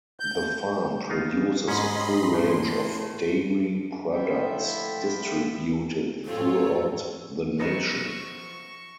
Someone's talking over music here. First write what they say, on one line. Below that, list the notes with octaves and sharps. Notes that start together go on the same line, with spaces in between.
The farm produces a full range of dairy products distributed throughout the nation.
G6
B3 D#4 F4
G#2 C#4 D#5 B5 C6
A2 C6
D3 F3 A3 E4 E5 G5
F#2 A2 C4 F4 A4 C#5
F#2 F3 B3 D#4 C#6 A#6 C#7 E7